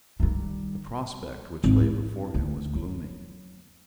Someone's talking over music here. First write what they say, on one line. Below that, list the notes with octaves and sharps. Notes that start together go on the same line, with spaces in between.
The prospect which lay before him was gloomy.
D#3 G3
G#1
E4
D2
F#3